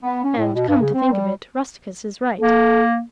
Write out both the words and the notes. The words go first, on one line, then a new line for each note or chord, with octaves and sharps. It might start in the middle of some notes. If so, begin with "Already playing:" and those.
And come to think of it Rusticus is right.
B3
C#4
A2
B2
G2
C#3
C4
G3
A#3 A4